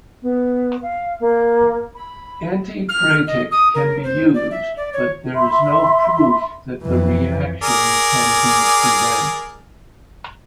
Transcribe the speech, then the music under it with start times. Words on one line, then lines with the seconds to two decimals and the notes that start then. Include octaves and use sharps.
Antipreytic can be used, but there is no proof that the reaction can be prevent.
0.22 B3
0.81 F5
1.19 A#3
1.95 B5
2.89 F6
3.27 D#5
3.51 D#6
3.74 A#4
4.04 C5
4.34 D5
4.51 E5
4.77 D5
4.93 C#5
5.35 E5 B5 C6
6.83 F2 E3
7.62 G#4 A#4 D5